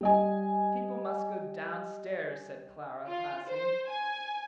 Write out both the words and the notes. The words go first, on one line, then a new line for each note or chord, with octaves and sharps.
"People must go downstairs," said Clara, passing.
G3 D#5 G#5
F4
C5
G#5